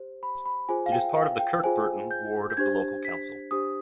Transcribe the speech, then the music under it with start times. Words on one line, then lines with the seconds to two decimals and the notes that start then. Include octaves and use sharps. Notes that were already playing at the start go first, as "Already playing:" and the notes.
It is part of the Kirkburton ward of the local council.
Already playing: G4 C5
0.23 B5
0.46 B5
0.69 F4 G#4 C5 G#5
0.86 F5
0.92 G5
1.16 F5
1.39 G5
1.64 F4 G#4 C5 G#5
2.11 G6
2.50 G6
2.57 D4 G4 C5 G#6
3.05 B6
3.51 D4 G4 C5 D#6